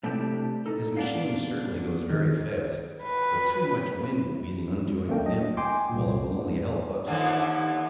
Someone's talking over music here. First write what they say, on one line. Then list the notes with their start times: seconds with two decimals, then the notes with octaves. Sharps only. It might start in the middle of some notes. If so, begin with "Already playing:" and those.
His machine certainly goes very fast, but too much wind will be the undoing of him, while it will only help us.
0.03 C3 A3 D4 E4 G4 A5
0.66 D#4 A4
0.97 B3 D4 F5
2.10 D#3
3.03 B4
5.09 A3 A#3 D4 G5
5.24 F#3 D#5
5.39 D#5
5.57 G5 G#5 C6 D6
5.90 C2 A#2
7.06 D#2 D3 F3